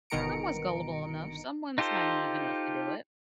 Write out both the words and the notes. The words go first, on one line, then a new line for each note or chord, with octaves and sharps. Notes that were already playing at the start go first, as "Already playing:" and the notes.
Someone's gullible enough, someone's naive enough to do it.
G1 B2 D#3 A#5 C#7 D7
D#4 F4 G4 A4 C5